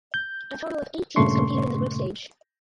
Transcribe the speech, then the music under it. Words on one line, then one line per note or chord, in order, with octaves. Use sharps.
A total of eight teams competed in the group stage.
G6
G2 A#2 C#3 A3 C6 C#6